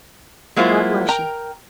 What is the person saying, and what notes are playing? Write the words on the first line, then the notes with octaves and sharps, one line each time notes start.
'God bless you!
F#3 G#3 A#3 E4 F4 C5
A#4 G5 A#5